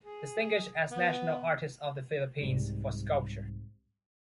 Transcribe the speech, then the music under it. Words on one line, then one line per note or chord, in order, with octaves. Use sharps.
Distinguished as National Artist of the Philippines for Sculpture.
G#4
B3
C2 G#2 G3